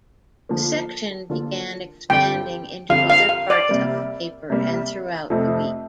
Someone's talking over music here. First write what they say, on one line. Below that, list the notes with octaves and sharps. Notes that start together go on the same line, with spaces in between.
The section began expanding into other parts of the paper and throughout the week.
D3 F3 A#3 F4
D3 F3 A#3 F4
G2 D3 F3 C4 G4 G5
G2 D3 F3 C4 G4 F5
F5
F5
D5
C3 G3 A#3
C3 G3 A#3
F2 C3 F3 A3 C4